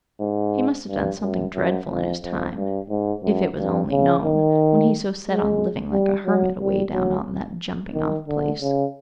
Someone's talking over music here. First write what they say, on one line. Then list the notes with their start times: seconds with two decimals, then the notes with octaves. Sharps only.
He must have done something dreadful in his time, if it was only known, when he's so set on living like a hermit away down on that jumping-off place.
0.21 G#2
0.88 G2
1.22 F#2
1.55 F#2
1.89 F2
2.23 F2
2.56 G2
2.90 G#2
3.23 F#2
3.58 G2
3.91 C#3
4.24 D#3
5.25 G#3
5.92 G3
6.26 F#3
6.60 G3
6.93 F#3
7.94 D#3
8.28 D3
8.61 C#3